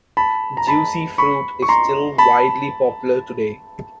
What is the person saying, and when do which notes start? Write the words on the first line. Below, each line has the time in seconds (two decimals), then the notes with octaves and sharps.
Juicy Fruit is still widely popular today.
0.17 A5 B5
0.57 A#5
0.67 A5 B5
1.18 B5 C#6
1.62 C#6
1.69 A#5 C6
2.18 A5 B5